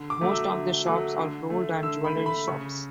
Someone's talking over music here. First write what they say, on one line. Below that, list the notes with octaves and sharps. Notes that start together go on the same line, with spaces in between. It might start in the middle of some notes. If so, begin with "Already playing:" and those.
Most of the shops are gold or jewelry shops.
Already playing: D3
D6
F#3 A3
E6
D3
F#3 A3
D3
A3
D3 E6
B5
A3
B5
C#3 C#6